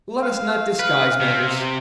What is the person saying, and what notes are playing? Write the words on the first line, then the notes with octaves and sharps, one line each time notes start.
Let us not disguise matters.
F5
B4
C3